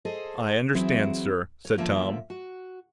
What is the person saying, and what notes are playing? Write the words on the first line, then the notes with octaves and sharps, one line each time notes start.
"I understand, sir," said Tom.
G#4 A4 C5 D#5
E3 F#3 C4 E4 G#4 C5
C#5
D#2 D3 F3 A#3 E5
F#4